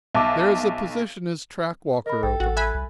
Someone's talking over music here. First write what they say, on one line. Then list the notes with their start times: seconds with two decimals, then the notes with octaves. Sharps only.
There is a position as track-walker open.
0.15 B1 E5 A5 D6
2.06 A#4 D#5 B5
2.23 A#1 A4 G5
2.40 A1 F#4
2.57 E5 G#5 B5 F#6
2.74 C2